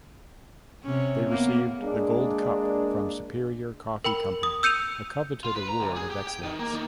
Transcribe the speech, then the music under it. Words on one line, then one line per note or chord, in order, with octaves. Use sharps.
They received the "Gold Cup" from Superior Coffee Company, a coveted award of excellence.
C3 C#4
A#3 B3
G#3 A#3 D4
A#4 G5 B5 F#7
D#6
E6 G6 C#7 D#7 F7
F4
B4
A#5
D2
G#4
G4
G5
D#3
A#3
D#3